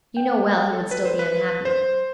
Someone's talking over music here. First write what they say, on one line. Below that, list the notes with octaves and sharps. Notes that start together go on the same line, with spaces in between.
You know well he would still be unhappy.
G5
G5
A4
B4
C5
B4
C5